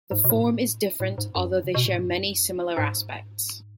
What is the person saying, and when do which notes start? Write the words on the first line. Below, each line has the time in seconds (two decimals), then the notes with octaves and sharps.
The form is different although they share many similar aspects.
0.11 G#2
0.24 B2
0.30 A2
1.00 A2
1.18 G#2
1.35 F#2
1.64 C#3
1.75 B2
1.86 A2
1.95 G#2
2.06 F#2
2.77 G#2